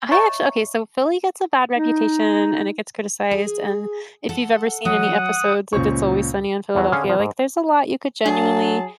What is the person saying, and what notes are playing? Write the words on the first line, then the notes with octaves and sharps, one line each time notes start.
I actually okay, so Philly gets a bad reputation and it gets criticized and if you've ever seen any episodes of It's Always Sunny in Philadelphia, like there's a lot you could genuinely
C#5 D#5 E5 A#5 C#6
D#4
G#4
A4 F#5
F#3 F#5 D#6
C#2 A#2 C#4 C5 C#6
E2 F#3
D3 C#4 G#4 F5
C2 F3
G#2
F#3 D4 G#4 A5